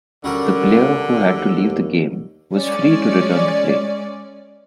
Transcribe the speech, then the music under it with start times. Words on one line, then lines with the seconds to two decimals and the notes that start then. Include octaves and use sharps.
The player who had to leave the game was free to return to play.
0.24 D3 G3 C#4 F#4 A#4
1.33 D#2
2.54 G#3 C#4 D5